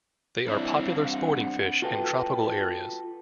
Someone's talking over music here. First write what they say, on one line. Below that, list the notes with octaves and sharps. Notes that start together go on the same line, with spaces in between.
They are popular sporting fish in tropical areas.
G3 C4 D4 E4
F5
F#5
F4 F#4 A4 B4 G5